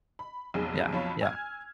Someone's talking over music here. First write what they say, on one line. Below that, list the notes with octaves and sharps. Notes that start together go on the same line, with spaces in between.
Yeah, yeah.
B5
F1 B1 F2 C#3 G#4
B1 F2 F4 C#5 A5 B5
G#5 E6 F6 G#6